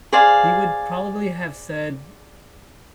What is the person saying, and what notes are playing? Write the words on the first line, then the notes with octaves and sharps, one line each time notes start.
He would probably have said
G#4 C5 D5 F5